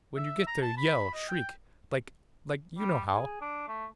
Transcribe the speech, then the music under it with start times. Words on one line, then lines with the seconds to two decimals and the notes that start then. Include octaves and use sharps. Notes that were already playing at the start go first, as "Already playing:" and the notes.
When you get there, yell, shriek--like-- like--you know how!
0.16 E5
0.47 A#5
0.62 A5
0.77 B5
1.13 D#5
1.29 G5
2.78 G3
3.14 G#4
3.41 D4
3.68 A3